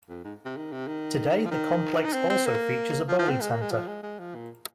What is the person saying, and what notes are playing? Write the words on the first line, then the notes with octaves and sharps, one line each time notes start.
Today, the complex also features a bowling centre.
F2
G#2
C3
D#3
C3
D#3
F3
D#3
D#4
C4
C4
A#3
F3
F3
C4
G#3
A#3
G#3
F3
G#3
G#3
F3
A#2